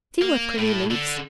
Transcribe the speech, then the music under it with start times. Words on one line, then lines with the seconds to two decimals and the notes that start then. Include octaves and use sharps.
"See what pretty leaves."
0.21 A#3
0.58 A2
0.91 D3